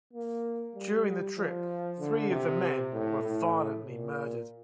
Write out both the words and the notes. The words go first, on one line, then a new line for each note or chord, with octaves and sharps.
During the trip, three of the men were violently murdered.
A#3
G3
F3
D3
C3
A2
A2
A#2